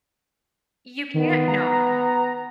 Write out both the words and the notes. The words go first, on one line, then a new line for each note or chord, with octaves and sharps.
you can't know.
D#3 B3
A#5